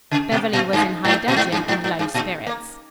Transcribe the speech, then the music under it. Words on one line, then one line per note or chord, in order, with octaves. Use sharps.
Beverly was in high dudgeon and low spirits.
C#3
B2
A#2
G2
G#2
A#2
G#2
G2
G#2
G#2
G2
A#2
A#3